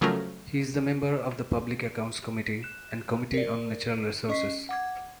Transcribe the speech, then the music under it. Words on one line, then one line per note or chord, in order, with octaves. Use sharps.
He is the member of the Public Accounts Committee and Committee on Natural Resources.
C#3 F3 F#3 A3 C#4 A#4
F#6 E7
A#4 D5
C#4 D#5 C#6 B6 C7
F#5 D6 G#6